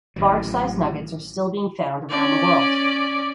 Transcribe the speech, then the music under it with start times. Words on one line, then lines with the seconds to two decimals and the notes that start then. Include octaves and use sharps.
Large size nuggets are still being found around the world.
0.16 A1 D#3 F#3
2.10 C#4 D5